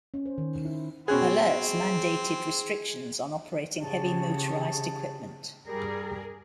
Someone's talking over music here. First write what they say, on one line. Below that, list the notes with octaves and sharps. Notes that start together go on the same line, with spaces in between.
Alerts mandated restrictions on operating heavy motorized equipment.
C#4
C5
D#3
E4
B2 C4 C#4 G#4 F#6
C#3 G4 G#4 C#5 A5
G2 G3 G#4 A#4